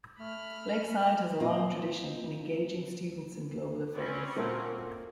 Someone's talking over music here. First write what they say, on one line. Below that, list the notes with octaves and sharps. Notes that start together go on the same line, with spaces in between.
Lakeside has a long tradition in engaging students in global affairs.
A3 B5 F6
A#2 C4 D#5
C4 C#4 D5 B5
A#2 A#3 F#4 A4 A#4 C5 E5